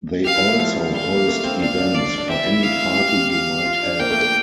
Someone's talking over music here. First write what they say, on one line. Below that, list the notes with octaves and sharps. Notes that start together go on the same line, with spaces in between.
They also host events for any party you might have.
G4 F5
E4
A3
F3
G3 F5
A3
A#3
A3
C4
D4 F5
D4
D4 D5
D4
D4
C4 E5
E4
F5
G4
F5
F4
D4
A#3 G5
A3
A3